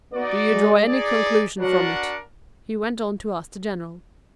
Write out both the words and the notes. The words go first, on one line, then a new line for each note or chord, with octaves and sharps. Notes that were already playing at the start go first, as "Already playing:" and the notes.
"Do you draw any conclusion from it?" he went on to ask the General.
B3 D#4 F#4 D5
G#3
D#4 G#4 D5
F#3 D4 F#4 A#4 D5 F#5